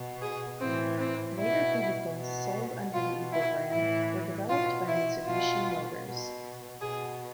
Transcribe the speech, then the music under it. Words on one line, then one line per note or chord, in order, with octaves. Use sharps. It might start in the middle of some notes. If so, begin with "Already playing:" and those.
Later vehicles sold under the Eagle brand were developed by Mitsubishi Motors.
Already playing: B2
G#4
A2 E3 C4
C4
B2 E4
B2
B2 F4
E4
A2 E3 E4
B2 F4
E4
B2 F4
B2
B2 G#4